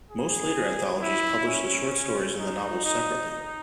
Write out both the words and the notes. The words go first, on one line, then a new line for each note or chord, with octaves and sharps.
Most later anthologies published the short stories and the novels separately.
G#4
E4
C#4
D#4
D#4
D#4